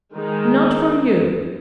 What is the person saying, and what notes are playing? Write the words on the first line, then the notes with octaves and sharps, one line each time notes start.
Not for you!
D#3 G#3 D#4